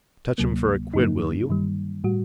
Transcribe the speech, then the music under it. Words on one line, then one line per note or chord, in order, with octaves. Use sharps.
Touch him for a quid, will you?
D2 C3 F#3 A#3
G2 D3 F#3 A#3 D#4
G2 D#3 G3
A2 G3 F#4